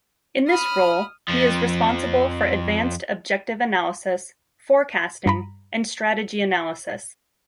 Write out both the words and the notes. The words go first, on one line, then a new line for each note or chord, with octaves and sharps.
In this role, he is responsible for advanced objective analysis, forecasting, and strategy analysis.
B5 D#6 F6
F2 F3
G2 A#5 B5